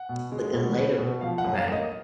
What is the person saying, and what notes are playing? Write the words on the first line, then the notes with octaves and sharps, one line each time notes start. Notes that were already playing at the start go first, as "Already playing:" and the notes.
But then later, okay,
Already playing: F#5
B2
G#3
B2
B3
B2
F3 F5
F#5
F#2
F5
A#3
D#5